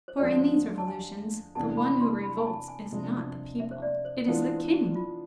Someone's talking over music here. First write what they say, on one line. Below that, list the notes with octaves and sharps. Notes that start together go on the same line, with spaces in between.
For in these revolutions, the one who revolts is not the people; it is the king.
C5
D3 F3 G#3 D5
A5
G#5
C3 E3 B3 D4 G#4 A5
B5
C6
B5
G#5
A5
G#5
C3 F3 G#3 D4
E5
C5
D5
C5
E3 G#3 B3 D4 F4
F4